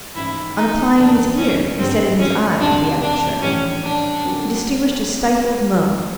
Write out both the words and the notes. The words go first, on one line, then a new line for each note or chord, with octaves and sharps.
On applying his ear instead of his eye to the aperture, he distinguished a stifled moan.
A1 G#2 E3 E4
D#4
F#1 E2 C#3 D4
C#4
G#1 G2 D3 G3 B3 C4
C#4
E1 D2 C3 D4
D4
A#1 A2 E3 G3 C#4
D4
F2 D3 F#3 A#3 C#4